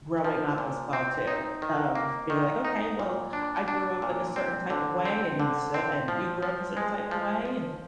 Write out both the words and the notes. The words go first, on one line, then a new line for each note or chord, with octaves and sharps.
growing up as well too, of being, like, "Okay, well, I grew up, like, a certain type of way, and so and you grew up a certain type of way, and
F3
A#2
C4
D#4
D#3
A#3
D#3
D#4
A#2
D4
D4
A#2
C4
D3
C4
D3
C4
F3
F3
G#3
F3
F3